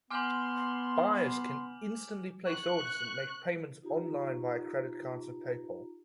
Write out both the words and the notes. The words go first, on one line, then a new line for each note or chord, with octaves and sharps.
Buyers can instantly place orders and make payments online via credit cards or PayPal.
B3 G#5 C6 D6 F6 G6 F#7
C#6 F#6
D#4 F4 G4 A#5